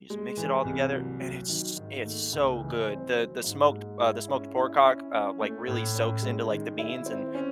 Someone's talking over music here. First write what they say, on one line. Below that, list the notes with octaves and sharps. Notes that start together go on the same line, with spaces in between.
You just mix it all together and it's it's so good. The the smoked uh, the smoked pork hock, uh, like, really soaks into, like, the beans, and
G#3
E3
C2
F#3
F#3
D#3
G#2
A3
C#2
E3
C4
F#3
G#2
G#3
E4
C#4
E4
C#4
C#4
A3
A2
C#4
G#3
D#3
E4
C4
C#4